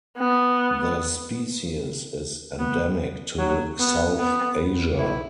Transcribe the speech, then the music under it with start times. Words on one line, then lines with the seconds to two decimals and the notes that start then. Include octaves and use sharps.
The species is endemic to South Asia.
0.18 B3
2.59 B3
3.38 F#3
3.79 B3
4.18 B3
4.99 E4